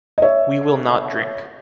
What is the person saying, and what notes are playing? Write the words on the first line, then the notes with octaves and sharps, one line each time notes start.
We will not drink.
D#5
C#5 E5